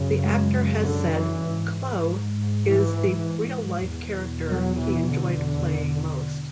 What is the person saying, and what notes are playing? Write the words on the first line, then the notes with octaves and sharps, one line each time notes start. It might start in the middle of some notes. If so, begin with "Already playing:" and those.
The actor has said Clough is the real-life character he enjoyed playing most.
Already playing: F#2 C#3
G#3
D3
E3
G#2
E3
E2 B2
F#3
E3
D3